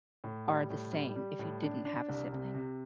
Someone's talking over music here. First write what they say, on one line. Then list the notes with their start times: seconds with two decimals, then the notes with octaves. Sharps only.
or the same if you didn't have a sibling?
0.24 A2
0.47 G3
0.70 A2
0.93 G3
1.16 G3
1.39 A2
1.63 D4
1.85 D4
2.09 C2
2.32 C3
2.54 C3